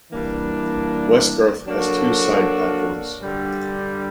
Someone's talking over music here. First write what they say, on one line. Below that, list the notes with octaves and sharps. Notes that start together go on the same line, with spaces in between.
Westgarth has two side platforms.
E3 G3 A#3 D4
F#3 A#3 D4 F#4 A4
G2 D3 G3